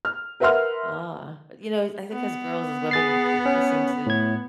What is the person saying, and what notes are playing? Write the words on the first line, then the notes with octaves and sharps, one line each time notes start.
Ah, but, you know, I think as girls, as women, we we seem to
F6
A#4 B4 E5 F#5 C6 F6
B3
G#4 A6 C7
C#4
A2 G#6